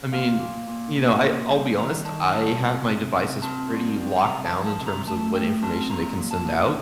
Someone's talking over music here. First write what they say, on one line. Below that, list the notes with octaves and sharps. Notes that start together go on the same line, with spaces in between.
I mean, you know, I I'll be honest, I have my devices pretty locked down in terms of what information they can send out.
A#2 F5
A#2
A#2
A#2
A#2
G3
D#3 A#5
D#3 A5
G3 A5
C3
C3
C3
C4 A5
G3
G3
C3 A#5
A5
F3
A5
C3
A#5
A3 A5
A3 G5
C4 A5
A#2 A#5
A#2
A5
A#2